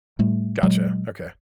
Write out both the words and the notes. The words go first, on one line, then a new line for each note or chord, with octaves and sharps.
Gotcha, okay.
A2 G3 A3
A#2 F#3 G#3